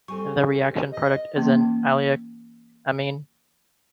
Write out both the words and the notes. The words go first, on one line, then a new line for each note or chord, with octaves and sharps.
The reaction product is an allylic amine.
G3 C4 A4 G#5 C#6
D#5
E3 A#3 C#4